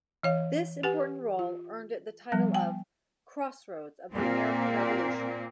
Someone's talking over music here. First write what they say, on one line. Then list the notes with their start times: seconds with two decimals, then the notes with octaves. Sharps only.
This important role earned it the title of "Crossroads of the American Revolution".
0.23 E3 C#5 F5
0.83 G4 B4 F#5 G#5
1.39 F4
2.32 F3 G3 B3
2.54 G5 G#5
4.13 A#2 A#3 C4